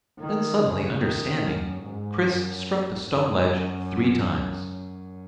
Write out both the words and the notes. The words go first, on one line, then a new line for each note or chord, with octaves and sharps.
Then, suddenly understanding, Chris struck the stone ledge three times.
D#3
C#3
D#3
F#2
G#2
F#2
F#2